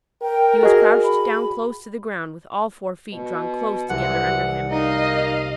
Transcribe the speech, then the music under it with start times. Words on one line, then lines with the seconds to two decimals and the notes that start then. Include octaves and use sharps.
He was crouched down close to the ground with all four feet drawn close together under him.
0.22 A#4 G5
0.63 F#4 G#4 D#5
1.04 B5
3.13 B2
3.90 C2 E3 F#5
4.71 A#3 D#4 D#5 F5